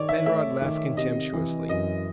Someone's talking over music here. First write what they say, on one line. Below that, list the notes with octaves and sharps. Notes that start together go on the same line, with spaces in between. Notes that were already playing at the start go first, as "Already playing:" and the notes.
Penrod laughed contemptuously.
Already playing: D#3 C#5 D5
E5
A3 E5
D#3
C3 D#5
E3
F#2 D#5